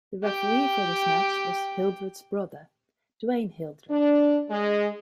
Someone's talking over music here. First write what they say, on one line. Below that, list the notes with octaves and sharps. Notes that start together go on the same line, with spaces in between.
The referee for this match was Hildreth's brother, Dwayne Hildreth.
G4 G5
D4
G#3